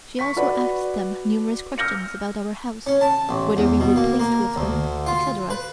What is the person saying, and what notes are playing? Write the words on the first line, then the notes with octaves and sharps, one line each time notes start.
She also asked them numerous questions about our house, whether we were pleased with her, etc.
C#6 B6
F#4 B4 D5
E6 F6 G6 A#6 C#7
C#4
A5
A1
E2
B2
A#3
A#3
D2
F4
B4